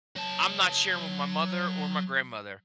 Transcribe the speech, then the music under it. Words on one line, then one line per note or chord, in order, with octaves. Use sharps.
I'm not sharing with my mother or my grandmother.
F#3 A5